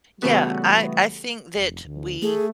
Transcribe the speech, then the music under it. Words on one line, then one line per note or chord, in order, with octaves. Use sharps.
Yeah, I I think that we
C#3 E3 G3 A3 B3 F#4
F1
D2
A3 G#4